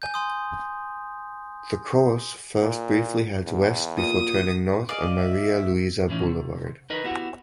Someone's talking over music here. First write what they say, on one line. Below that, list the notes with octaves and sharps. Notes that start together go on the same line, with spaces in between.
The course first briefly heads west before turning north on Maria Luiza Boulevard.
G#5 G6
G#5 C6 D#6
A#2
E2
A#2 D#6
G#4 D5 D#5 F5
E5
A2 E3 C#4 D#4
C3
D#4 A#4 B4 D#5
B3 E4 F#4 G4